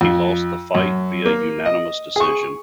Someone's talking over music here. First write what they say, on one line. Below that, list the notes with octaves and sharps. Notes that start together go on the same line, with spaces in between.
He lost the fight via unanimous decision.
F2
F#2
A#3
D#5
G#4 C#6